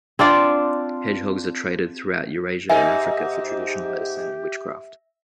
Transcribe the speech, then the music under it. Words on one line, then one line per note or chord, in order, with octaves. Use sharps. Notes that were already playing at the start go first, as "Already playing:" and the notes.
Hedgehogs are traded throughout Eurasia and Africa for traditional medicine and witchcraft.
C4 D4 F4 D5
G#2 D#4 G4 A#4 D#5 E5 G#5